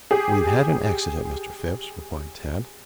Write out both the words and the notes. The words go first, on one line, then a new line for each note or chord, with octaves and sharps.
"We've had an accident, Mr. Phipps," replied Tad.
G4 G#4